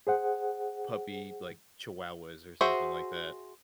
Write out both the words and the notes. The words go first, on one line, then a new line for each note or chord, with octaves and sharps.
puppy, like, chihuahuas or something like that.
G#4 C5 F#5
F#4 G#4 C5 E5